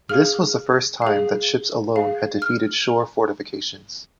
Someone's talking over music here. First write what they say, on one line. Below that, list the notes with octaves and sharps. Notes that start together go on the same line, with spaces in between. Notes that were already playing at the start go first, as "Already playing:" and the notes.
This was the first time that ships alone had defeated shore fortifications.
G#4 F5 F6
G#4 F5
G#4 F5
F6